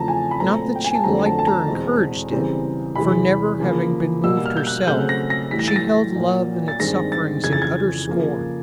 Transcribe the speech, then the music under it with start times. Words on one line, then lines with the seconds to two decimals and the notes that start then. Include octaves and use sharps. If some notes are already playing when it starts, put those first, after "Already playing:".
Not that she liked or encouraged it; for, never having been moved herself, she held love and its sufferings in utter scorn.
Already playing: E2 C#3 F3 A3 C4 A5 A#5
0.08 G#5
0.31 B5
0.40 A#2 F#3 A3 C4 A#5
0.75 G5
0.85 G#5
0.95 A5
1.04 F2 D3 F#3 A3 C4 A#5
1.26 A5
1.39 A5
1.47 A#5
1.68 E2 B2 G#3 C4
2.32 C#3 E3 G3 C4
2.95 E2 C3 E3 G#3 B5
3.60 C#3 F3 A#3
4.23 B2 G3 A#3 E6
4.46 F6
4.57 G6
4.67 F#6
4.87 C#3 F#3 A3 C4 G6
5.09 A#6
5.30 A#6
5.51 A2 E3 G3 B6
5.59 A#6
5.68 A6
5.76 A#6
6.16 A#2 F#3 A#3
6.68 A6
6.79 G2 D#3 G#3 C4 A#6
7.12 A6
7.44 F2 C#3 E3 G#6
7.53 A6
7.62 G#6
8.07 C#3 F3 A#3